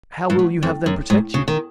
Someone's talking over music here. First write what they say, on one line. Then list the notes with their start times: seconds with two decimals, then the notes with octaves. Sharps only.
How will you have them protect you?
0.30 G2
0.39 F#2
0.63 F2
0.86 F#2
1.10 G#2
1.34 C#3
1.48 D#3